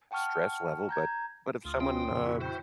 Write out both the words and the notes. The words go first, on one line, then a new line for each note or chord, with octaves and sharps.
stress level, but but if someone, uh,
F#5 G5 A5 C#6 F6
A#5 G6 G#6
D2 F4 D#6
C4 C#4 F4 G5 C6
F2 A#2 C#3
E4 F#4
C5 G5